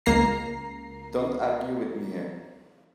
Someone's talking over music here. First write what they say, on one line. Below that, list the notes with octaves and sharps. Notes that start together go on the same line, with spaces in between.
Don't argue with me here.
C#2 A#3 A#5 C7